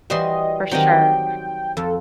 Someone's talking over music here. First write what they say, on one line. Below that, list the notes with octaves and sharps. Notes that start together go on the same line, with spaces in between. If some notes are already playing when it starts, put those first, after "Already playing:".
for sure.
E3 G3 F#4 C5 D#5 C6
D#3 F#3 C4 G4 D#5 G5
F2 A4